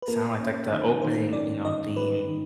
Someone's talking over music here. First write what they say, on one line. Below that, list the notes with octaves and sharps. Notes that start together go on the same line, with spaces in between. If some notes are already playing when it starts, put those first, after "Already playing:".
sound like? Like, the opening, you know, theme
B4
A#3 A#4
C#4
D#3
D#3 C5
C#4 D5
D#3 D#5
G3 B4
D#3